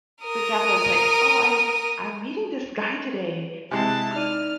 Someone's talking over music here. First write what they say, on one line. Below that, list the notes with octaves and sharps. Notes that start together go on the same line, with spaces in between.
For example, it's like, "Oh, I I'm meeting this guy today,
A#4 D#6
C3 G#3 E4 G#5 A5 F#6 C7
D#4 D5 F6 D#7